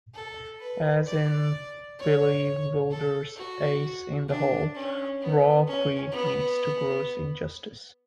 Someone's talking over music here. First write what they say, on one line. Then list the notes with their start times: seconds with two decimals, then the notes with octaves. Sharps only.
As in Billy Wilder's "Ace in the Hole", raw greed leads to gross injustice.
0.14 A4
0.60 B4
1.06 D5
1.99 C#5
2.90 A4
3.36 F#4
4.29 D4
4.74 C#4
5.21 B3
5.67 C#4
6.12 B3